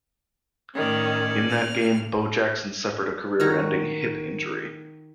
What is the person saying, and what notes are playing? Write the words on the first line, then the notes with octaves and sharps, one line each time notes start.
In that game Bo Jackson suffered a career-ending hip injury.
A2 D#3 C#4 D5
F6
D#3 F#4 A#5